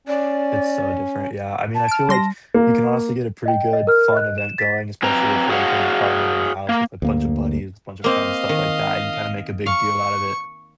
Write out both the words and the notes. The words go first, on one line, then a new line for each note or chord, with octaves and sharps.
It's so different, yeah. I mean, I feel like you can honestly get a pretty good, fun event going, especially if you're like you're in an apartment or in a house with a bunch of buddies, a bunch of friends, stuff like that, and you kinda make a big deal out of it.
C#4 D5
A5
F6 D7
G3 C6 A#6
A#3
D#5 G5
D#5
A#4 F6
D#5 F#6
E7
A6 B6
F#3 C4 B4 A#5
F#4 G#4 C#5 F5 F#5
A#3
D2 A#3
A#3 C4 D#5 F5
D#3
F5 C#6